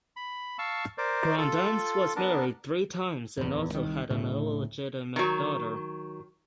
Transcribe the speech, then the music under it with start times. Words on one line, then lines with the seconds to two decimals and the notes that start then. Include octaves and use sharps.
Graudenz was married three times and also had an illegitimate daughter.
0.16 B5
0.59 F5 A5 C#6 E6
0.98 A#4 C5 D5
1.37 F4 A4
2.16 B3 D4 A#4 A5
3.37 D1 E2
3.72 C2 D#3
4.10 D1 A2 C#3 A3
5.16 D#3 F#3